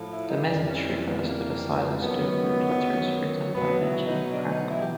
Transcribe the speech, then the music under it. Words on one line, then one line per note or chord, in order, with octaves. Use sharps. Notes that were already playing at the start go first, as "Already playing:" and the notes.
The message refers to the Silence Dogood letters written by Benjamin Franklin.
Already playing: A2 F3
E4
D#4
F2 C3 E3 G3 D4
C#4
C4
B3
A#3
F#2 D#3 F#3 B3
B2 F#3 B3
E4
D#4
D4
D#4
E4
G4